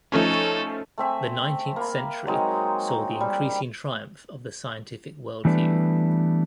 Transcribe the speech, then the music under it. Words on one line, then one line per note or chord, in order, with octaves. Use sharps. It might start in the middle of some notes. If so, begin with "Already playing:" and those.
The nineteenth century saw the increasing triumph of the scientific worldview.
F3 A3 C#4 D#4 A4
A3 C4 E5 G#5
A#3 B5
F#3 G#3 C4 D#4
G3
E3 G3 A3 B3 D4 B4